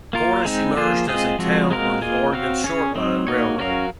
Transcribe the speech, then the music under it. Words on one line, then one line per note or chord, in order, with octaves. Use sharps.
Cornish emerged as a town on the Oregon Short Line Railroad.
A#3 F4 A#4
G#3 C4 D#4
F3 A#3 F4 G#4 C5
G#3 C4 F4 G#4 D#5
F3 G#3 C4 F#4
G#3 C4 F#4 A#4 F5
A#3 F4 G#4 D#5
C4 F#4 C#5 F5
C#4 G#4 C#5
F#3 C4 D#4
A#3 D#4 F#4 C#5
F#3 C#4 F#4 A#4 F5